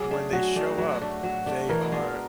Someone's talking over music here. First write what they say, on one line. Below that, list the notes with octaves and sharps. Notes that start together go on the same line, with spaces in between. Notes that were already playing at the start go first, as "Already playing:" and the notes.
w when they show up, they are
Already playing: F#3 G#4
A3 D4
F#3 F#4
A3 D4
F#3
A3 D4
F#3
A3 D4
E3 A#4
G#3 B3 D4